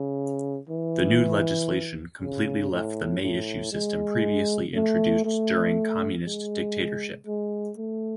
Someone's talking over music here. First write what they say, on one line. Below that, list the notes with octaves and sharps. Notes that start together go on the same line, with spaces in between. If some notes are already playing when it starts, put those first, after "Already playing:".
The new legislation completely left the may issue system previously introduced during communist dictatorship.
Already playing: C#3
E3
C#3
A2
A2
G#3
A3
A3
G#3
G#3
A3